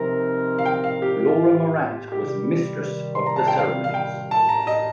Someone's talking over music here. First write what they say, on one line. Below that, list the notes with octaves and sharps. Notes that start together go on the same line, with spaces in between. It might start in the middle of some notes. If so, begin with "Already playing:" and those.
Laura Morante was mistress of the ceremonies.
Already playing: C3 F3 C4 D#4 A#4
F5
G5
F5
G4
G4
F4
F4
C3 D#3 G3 G4
C6
A#5
A5
G5
F5
F5
G5
A5
A#5
D#5